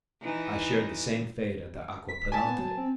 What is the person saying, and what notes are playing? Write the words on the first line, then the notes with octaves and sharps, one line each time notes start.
"I shared the same fate at Aquapendente."
E3 D#4
B6
G#5 A5
B3
F#3
C4